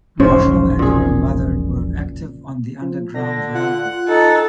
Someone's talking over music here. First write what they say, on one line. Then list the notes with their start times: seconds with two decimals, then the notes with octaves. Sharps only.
Marshall and her mother were active on the Underground Railroad.
0.20 E1 A#1 G#2 C#3 C#4 C5
0.79 A#2 G#4
2.81 F3
3.15 D3 A#6
3.55 F4 F#5
4.08 D#4 A4